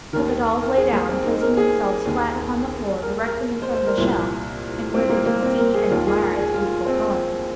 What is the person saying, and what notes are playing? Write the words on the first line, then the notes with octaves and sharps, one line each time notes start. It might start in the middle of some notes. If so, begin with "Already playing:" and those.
So the dolls lay down, placing themselves flat upon the floor directly in front of the shell and where they could see and admire its beautiful coloring.
D#2 D#3 A#4
A#4
G#4
A#3
C4
D#4
A#4
G#4
D#2 D#3
A#4
A#4
C5
C5
A#4
C2 A#2 F3
C4
A#3
A#3
C4
A#4
G#4
D#2 D#3 F4
G#4
A#4
G#4
F4
C4